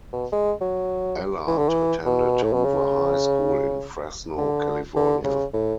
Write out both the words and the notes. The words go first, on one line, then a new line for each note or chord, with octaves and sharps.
Ellard attended Hoover High School in Fresno, California.
B2
G#3
F#3
E3
D3
E3
B2
A2
B2
C#3
D3
D3
C#3
A2